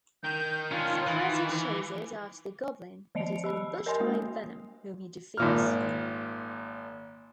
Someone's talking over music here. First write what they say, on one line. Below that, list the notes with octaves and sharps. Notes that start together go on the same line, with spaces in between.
Spidey chases after the Goblin, but is ambushed by Venom, whom he defeats.
D#3 G6
C#4 D4 F4
E3
D#3 F3 D#5 C#7 D7 F7
G4 D#5 B5
A#4 C#5 D#5 G#5 C6
G#3 A#3 F#4
G#1 A#2 F6